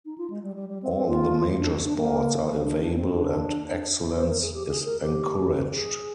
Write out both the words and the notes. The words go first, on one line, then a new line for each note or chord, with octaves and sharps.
All the major sports are available and excellence is encouraged.
D#4
F4
G#3
G3
G3
G3
C4
C4
F4
D4
D4
A#3
D4
D4
C4
D4
C5
A#4
G#4
G4
G#4
A#4
G4
G#4